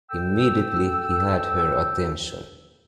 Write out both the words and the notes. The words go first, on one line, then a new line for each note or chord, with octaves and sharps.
Immediately he had her attention.
A4 G5 E6